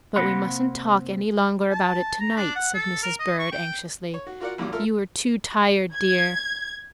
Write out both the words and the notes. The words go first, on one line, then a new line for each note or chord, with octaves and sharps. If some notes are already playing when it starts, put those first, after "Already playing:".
"But we mustn't talk any longer about it to-night," said Mrs. Bird, anxiously; "you are too tired, dear."
C3 A#3 C4 F#5 B5
A5
A#5
D4
F#5
A4
A#4
D#5
C#6
G5
C#5
F#4
F4 F#4 A#4 D5 F#5
G#1 F#2 A#2 G3 D6
F4 A4 A#4 E5 F6
G#6